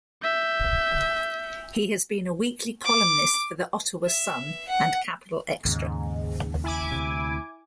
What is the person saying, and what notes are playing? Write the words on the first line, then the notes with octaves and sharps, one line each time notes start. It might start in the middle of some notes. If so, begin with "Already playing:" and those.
He has been a weekly columnist for the "Ottawa Sun" and "Capital Xtra!".
E5 G6
D6
E5
F#5
D#2 G#2 C#3
E4 G#5 D6
D2 C3